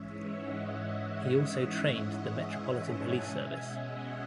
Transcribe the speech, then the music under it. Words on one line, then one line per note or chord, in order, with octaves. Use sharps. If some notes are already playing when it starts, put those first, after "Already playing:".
He also trained the Metropolitan Police Service.
Already playing: G#2 E3 G#3 C#4 C#5 E5
D#5 F#5
E5 G#5
F#5 A5
B2 G#3 C#4 E5 G#5
D#5 F#5
C#5 E5